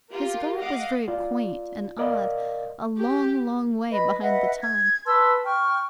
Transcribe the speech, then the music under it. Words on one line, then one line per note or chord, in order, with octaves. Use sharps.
His garb was very quaint and odd--a long, long way behind the time.
F4 G4 A#4
D#5 F5 F#5 D6
F4 D5
A#4 D5 D#5 F5
G4
B4 D#5 B5
B4 D#5 E5 F#5
G#6
B4 A5 C6 E6
G5 C#6 F6